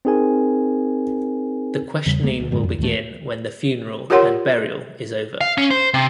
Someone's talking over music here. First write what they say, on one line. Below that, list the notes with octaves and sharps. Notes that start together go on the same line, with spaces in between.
The questioning will begin when the funeral and burial is over.
C4 D#4 G#4 A#4 G#5
E2 C#3 G3
D#1 G#3 A#3 B3
D2
F#2 A2 D3 G#3
F2
D2 A2 D#3 A3
F4 G4 A#4 C#5 F#5 C6
F5
C#4
C5
C3